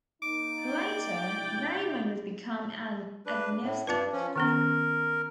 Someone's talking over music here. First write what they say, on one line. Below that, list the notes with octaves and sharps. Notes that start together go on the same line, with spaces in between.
Later, Neyman would become an agnostic.
A#3 D#4 D6
D5 G5
C3 D4 E4
D4 B4
A2
G2 C4 D4 F4 B4
F3 C#4
D#3 B3 C#4 A#4